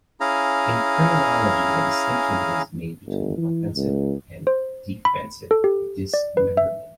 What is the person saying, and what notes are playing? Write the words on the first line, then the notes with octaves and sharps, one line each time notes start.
In criminology, a distinction is made between offensive and defensive dismemberment.
C#4 E4 G#4 F5 A#5
G1
E3
C#2
C5
B5
A4
G4
D5
B4
E5